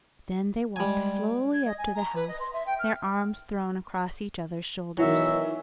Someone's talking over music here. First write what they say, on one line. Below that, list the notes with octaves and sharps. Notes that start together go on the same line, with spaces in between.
Then they walked slowly up to the house, their arms thrown across each other's shoulders.
G3 G#3 G#5
G#6
D#5
G#5
A#5
B4
D#5
C6
E5
G5
F6
B2 D#3 E3 F#3 E5